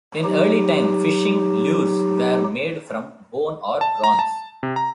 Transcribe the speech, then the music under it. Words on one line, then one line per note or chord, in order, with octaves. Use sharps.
In early time, fishing lures were made from bone or bronze.
F#3 D#4 G4
A5
A#5
A5
C3
A#5